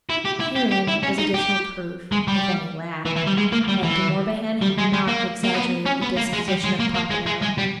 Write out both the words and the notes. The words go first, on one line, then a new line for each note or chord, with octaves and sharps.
Herein was additional proof, if any lacked, that De Morbihan had not exaggerated the disposition of Popinot.
E4
G4
E4
G4
G4
E4
C#4
D#4
G4
G#3
G3
E3
E3
G3
G#3
A#3
G3
E3
G3
G#3
G#3
A#3
A#3
B3
C#4
B3
A#3
G#3
G3
G#3
A#3
A#3
G#3
G#3
G#3
G3